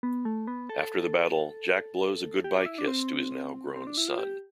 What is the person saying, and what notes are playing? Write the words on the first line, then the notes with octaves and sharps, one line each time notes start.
After the battle, Jack blows a goodbye kiss to his now grown son.
B3
A3
B3
A4
G4
D4
E4
D4
C4
C4
D4
E4
F4
G4